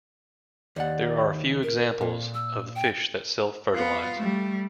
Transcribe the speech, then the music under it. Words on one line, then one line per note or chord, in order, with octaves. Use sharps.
There are a few examples of fish that self-fertilise.
D#2 D5 F#5
A#4
A#2
E6
G5
B3 F4
G3 A3